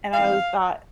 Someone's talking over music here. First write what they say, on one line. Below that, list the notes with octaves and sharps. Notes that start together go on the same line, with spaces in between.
and I w thought
A2 E3 G#3 C4 D#4 F5